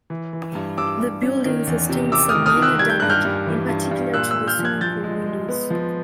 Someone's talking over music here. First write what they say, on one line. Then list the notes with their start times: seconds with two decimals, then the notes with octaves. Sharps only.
The building sustained some minor damage, in particular to the swimming pool windows.
0.10 E3
0.33 E3
0.55 G2
0.78 G2 D6 E6
1.00 G2
1.23 C#4
1.45 D#3
1.67 E2
1.89 C3
2.12 C3 D6 E6
2.29 D#6 F6
2.35 D#3
2.46 D#6 F6
2.57 D#3
2.62 E6 F#6
2.79 G3 G#6
2.90 G6
3.00 G2 F#6
3.10 F6 G6
3.25 G2
3.47 E3
3.69 G2
3.91 G2
4.14 A#2 E6 F#6
4.31 E6 F#6
4.36 A#2
4.48 F6 G6
4.59 F3
4.64 F#6 G#6
4.81 F3 G6 A6
5.04 G#3
5.26 G#3
5.49 B3
5.70 F3